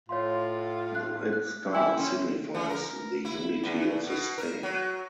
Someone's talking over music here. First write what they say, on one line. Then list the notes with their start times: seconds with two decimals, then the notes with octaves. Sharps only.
The red star signifies the unity of the state.
0.09 A2 F4 C#5 F5 C6
0.95 F#6
1.33 F#6
1.73 G3 A#3 E4 G5 G#5 E6
1.97 E3 C#4 C6
2.54 E3
2.69 A#4
3.25 E4
3.64 E2
4.07 B2
4.38 A#4
4.63 F#3